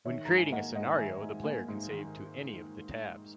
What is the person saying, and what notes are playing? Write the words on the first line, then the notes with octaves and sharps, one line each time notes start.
When creating a scenario, the player can save to any of the tabs.
D#3 C#5 E5
G#2 A#5
G#5
A#3 D#5 F#5
G#2 D#5 F#5
D#3 E5 G#5
G#2
A#3
G#2
D#3